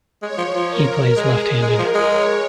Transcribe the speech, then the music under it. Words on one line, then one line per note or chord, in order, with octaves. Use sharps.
He plays left-handed.
G#3 C#5
F3
F3
A#4
G#3 G#4
G#3 A#4
F3
G#3
C#5